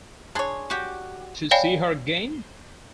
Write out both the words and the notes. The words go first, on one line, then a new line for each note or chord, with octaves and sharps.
To see her again?
D4 G#4 C#5 C6
F#4 G4
C#5 D5 F5 G5 G#5 B5